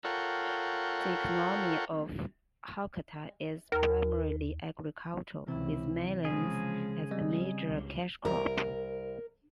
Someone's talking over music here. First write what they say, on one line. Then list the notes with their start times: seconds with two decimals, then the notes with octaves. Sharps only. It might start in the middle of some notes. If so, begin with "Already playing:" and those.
The economy of Hokota is primarily agricultural, with melons as a major cash crop.
0.05 F4 A4 A#4 C#5 F#5 G5
3.72 D#2 A#4
5.48 C#2 C3 E3 C4 E4
6.24 C#3 F3 G#3 G#4
7.11 G3 C4 D#5
7.67 C#2
8.25 C2 A#4